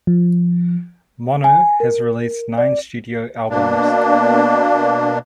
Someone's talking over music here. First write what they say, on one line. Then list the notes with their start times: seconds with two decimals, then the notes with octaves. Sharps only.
Mono has released nine studio albums.
0.07 F3
1.44 G#5
1.80 A#4
2.58 D5
3.50 B2 A#3 D4